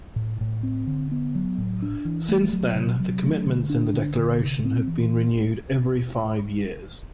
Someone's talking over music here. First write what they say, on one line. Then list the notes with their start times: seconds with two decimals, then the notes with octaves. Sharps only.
Since then, the commitments in the Declaration have been renewed every five years.
0.16 A2
0.41 A2
0.63 C4
0.87 D3
1.11 B3
1.35 F#3
1.58 A2
1.82 D4
2.05 E3
2.29 A3
2.53 F#3
2.76 C3
3.00 F#3
3.23 A3
3.46 D3
3.70 D4
3.93 D3
4.17 D3
4.40 C3
4.65 C4
4.88 E3